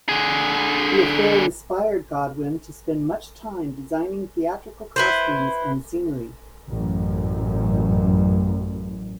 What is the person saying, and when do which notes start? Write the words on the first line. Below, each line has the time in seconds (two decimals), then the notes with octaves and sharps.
The affair inspired Godwin to spend much time designing theatrical costumes and scenery.
0.09 D3 G#4
4.96 E4 B4 C5
6.70 A1 F#2